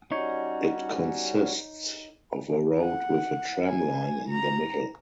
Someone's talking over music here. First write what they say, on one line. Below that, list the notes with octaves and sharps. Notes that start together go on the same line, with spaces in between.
It consists of a road with a tram line in the middle.
G3 C#4 D#4 F#4 C#5
F#5
G#5
A#5